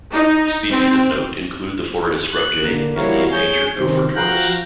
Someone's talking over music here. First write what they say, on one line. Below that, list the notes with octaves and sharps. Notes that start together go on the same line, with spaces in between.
Species of note include the Florida scrub jay and the endangered gopher tortoise.
D#4
C4
F#6
D3 A#3
G3 E4 F#4 A#4 C#5 F5
G#4 C#5 G6
C3 D#3 C4
F3 F#4 F5 G5 A#5 F#6